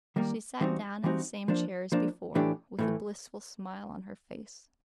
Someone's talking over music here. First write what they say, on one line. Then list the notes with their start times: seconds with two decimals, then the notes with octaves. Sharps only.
She sat down in the same chair as before, with a blissful smile on her face.
0.16 D#3 G3 A#3
0.61 E3 G3 C4 D#4 F#4
1.04 E3 G3 C4 D#4 F#4
1.48 F3 A#3 D4
1.92 F3 A#3 D4
2.35 A2 E3 A3 D4 G4
2.79 A2 E3 A3